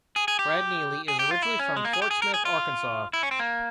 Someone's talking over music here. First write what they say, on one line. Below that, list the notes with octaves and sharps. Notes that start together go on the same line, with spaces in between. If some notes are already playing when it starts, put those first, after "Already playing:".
Brad Neely is originally from Fort Smith, Arkansas.
G#4
G#4
G4
G#4
G4
F4
E4
C#4
G#3
A#3
G#4
G4
G#4
A#4
G#4
F4
E4
C#4
C4
A#3